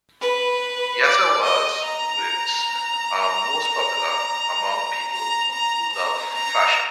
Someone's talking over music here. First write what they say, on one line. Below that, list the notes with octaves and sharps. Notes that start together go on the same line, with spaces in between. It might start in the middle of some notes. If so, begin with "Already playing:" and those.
Yazawa's works are most popular among people who love fashion.
B4
D5
D#5
A#5
A#5
A#5
A#5
A#5